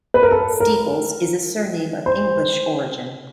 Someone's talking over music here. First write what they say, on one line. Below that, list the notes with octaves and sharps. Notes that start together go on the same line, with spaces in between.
Steeples is a surname of English origin.
B4
A#4
A4
A#4
C5